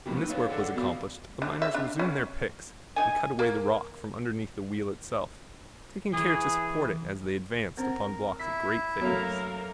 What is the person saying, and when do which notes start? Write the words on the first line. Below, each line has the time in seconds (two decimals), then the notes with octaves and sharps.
When this work was accomplished, the miners resumed their picks and cut away the rock from underneath the wheel itself, taking care to support it as they advanced upon blocks of great thickness.
0.06 F3 A3 A#3 E4 G4
0.17 D#4 B4
0.30 G#4 B4 C#5 F5
0.49 A4 D5 F#5
0.76 B3 F#4 B4 D5 E5 F5
1.42 D4
1.62 E5
1.74 D4
1.99 C#4
2.96 D#4 G#5
3.39 A#3
6.14 E3 G#4
7.77 C4 C#4 A#4 C5
8.40 E4 E5 B6
9.01 F#2 A3 A#3 F#4 A#4 C#5 F5